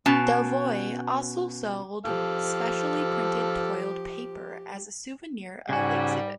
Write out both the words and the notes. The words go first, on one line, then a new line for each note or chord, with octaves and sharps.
Delvoye also sold specially printed toiled paper as a souvenir of the exhibit.
B2 C#4 A5
F3 G4 A4 F5
G#2 C#3 G3 F#4 G4 D5 G#5